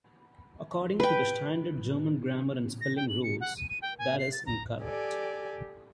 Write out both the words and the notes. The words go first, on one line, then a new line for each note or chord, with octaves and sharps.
According to the Standard German grammar and spelling rules, that is incorrect.
B4 G5
A#6
G5
F#7
C#7
F#5
D#7
D#7
G5
G#5
C7
A6
A#5
G4 A4 D5 G#5